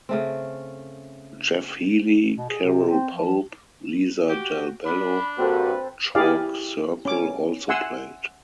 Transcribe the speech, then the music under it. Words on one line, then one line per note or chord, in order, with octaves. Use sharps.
Jeff Healey, Carole Pope, Lisa Dalbello, Chalk Circle also played.
C#3 A3 C4
B2
G#4
C3
C4
F3
F#4 G4
D4 B5
G2 A#3 C4 F#4 A4 B4 C5
E4 G4 G#4 D5 F5
C#4 D6
E5 F#5 G#5 C6 E6